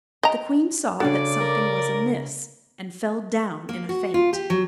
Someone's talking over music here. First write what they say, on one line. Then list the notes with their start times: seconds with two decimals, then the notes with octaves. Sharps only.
The queen saw that something was amiss, and fell down in a faint.
0.23 D#5 G5 A#5
1.00 C#3 D4 F#4 A4 D5
1.40 A#4
3.69 A#3
3.89 F#4
4.14 F4
4.33 G4
4.50 F#3